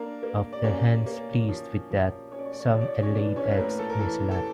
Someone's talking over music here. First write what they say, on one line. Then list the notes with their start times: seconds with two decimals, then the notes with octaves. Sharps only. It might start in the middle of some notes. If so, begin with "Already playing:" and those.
Of the hens pleased with that, Some laid eggs in his lap.
Already playing: A#3 D4 A#4
0.23 A#3
0.53 D5
0.64 A#3 C#4 C#5
1.06 A#3
1.48 F3
1.91 F3
2.32 C#4 C#5
2.39 D5
2.46 C#5
2.53 D5
2.60 C#5
2.68 D5
2.74 F3 C#5
2.81 D5
2.88 C#5
2.96 D5
3.02 C#4 C#5
3.15 E3 D4 D5
3.36 C#4 C#5
3.51 B4
3.57 A2 A#3 A#4
3.79 A4
3.90 A#4
3.99 E3 A4
4.31 A4